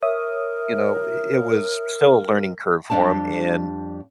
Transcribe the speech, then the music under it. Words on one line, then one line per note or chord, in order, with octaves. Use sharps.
you know, i it was still a learning curve for him, and
A#4 C#5 E5 D#6
F2 G3 D4 G4 A5